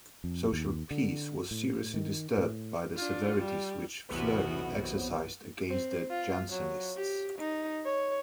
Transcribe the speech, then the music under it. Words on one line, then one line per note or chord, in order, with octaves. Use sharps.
Social peace was seriously disturbed by the severities which Fleury exercised against the Jansenists.
F2
D#2
D3
A2
D#3
A2
D4 F4
G3
B1 E2 C3 B3 F#4
C4
F4
F#3
G4
D#4
C#5